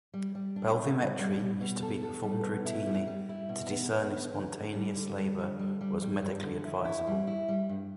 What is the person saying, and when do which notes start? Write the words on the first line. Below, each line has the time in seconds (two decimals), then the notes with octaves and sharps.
Pelvimetry used to be performed routinely to discern if spontaneous labour was medically advisable.
0.14 G3
0.35 G3
0.56 D4
0.77 B2
0.98 G3
1.19 G3
1.39 G3
1.61 B2
1.82 A4
2.03 A4
2.23 G3
2.45 B2
2.65 E4
2.86 G3
3.07 G3
3.29 E4
3.49 B2
3.71 B3
3.92 B3
4.12 D3
4.34 D3
4.54 D3
4.75 G3
4.96 D3
5.18 G3
5.39 D3
5.59 G3
5.81 G3
6.02 G3
6.22 G2
6.43 D3
6.65 E4
6.85 E4
7.07 G3
7.27 E4
7.48 G3
7.69 G2